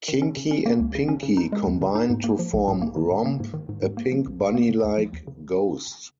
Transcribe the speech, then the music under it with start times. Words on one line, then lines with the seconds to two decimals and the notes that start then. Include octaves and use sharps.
Kinky and Pinky combine to form Romp, a pink bunny-like ghost.
0.08 D#3
0.22 C#4
0.37 C#3
0.51 C#4
0.66 A#3
0.80 C#2
0.95 C#3
1.08 C#4
1.23 C#3
1.37 D#4
1.52 G#3
1.67 D#2
1.81 C#3
1.95 D#4
2.10 G#2
2.24 A#3
2.39 F3
2.53 A#1
2.68 G#2
2.82 A#3
2.96 D#3
3.11 G#2
3.26 A#3
3.40 G#2
3.54 D#3
3.69 G#2
3.83 G#2
3.97 A#3
4.12 F3
4.27 A#1
4.40 G#2
4.55 A#3
4.69 C#3
4.84 D#2
4.98 F3
5.13 D#2
5.27 C#3